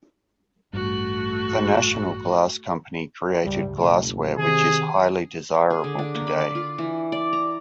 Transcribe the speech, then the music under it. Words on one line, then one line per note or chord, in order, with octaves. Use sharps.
The National Glass Company created glassware which is highly desirable today.
A1 G2 A3 F#4
D1 G1 C#2 G3
F#1 C#2 B2 A3
C3 D#3 G#4
G#4
D3
D4
A#3
B5
D5
F4
E3
D5
A#5